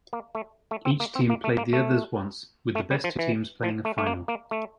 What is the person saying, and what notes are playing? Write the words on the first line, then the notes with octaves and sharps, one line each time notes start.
Each team played the others once, with the best two teams playing a final.
A#3
A3
A3
C4
A#3
C4
A#3
A3
A#3
A3
A3
G3
F3
E3
F3
A3
A3
A#3
A#3
A3